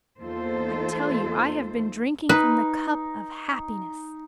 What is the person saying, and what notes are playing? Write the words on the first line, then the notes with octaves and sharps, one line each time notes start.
I tell you I have been drinking from the cup of happiness.
E2 A#3 D#4 F4 A4 C5
D#4 B4